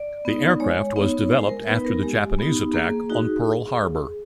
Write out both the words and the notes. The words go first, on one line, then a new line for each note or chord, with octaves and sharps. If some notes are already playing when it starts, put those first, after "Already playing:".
The aircraft was developed after the Japanese attack on Pearl Harbor.
Already playing: D5
B3 D#4
G#3 C#5
B3 D#4
G#3 C5
A#4
B3 D#4 B4
A#4
G#3 G4
B3 D#4
A#3 G#4
D#4 F#4